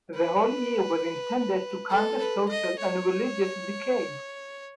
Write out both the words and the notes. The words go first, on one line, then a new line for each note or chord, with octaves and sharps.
The Holy year was intended to counter social and religious decay.
B4
A4
B4
D#5
C#5